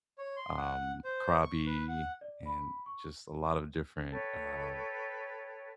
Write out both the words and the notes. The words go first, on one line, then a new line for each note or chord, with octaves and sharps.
um, Krabi and just a lot of different, uh
C#5
C6
F#5
C5
C#6
B4
F#5
D5
B5
C#6
A4 B4 C#5 G5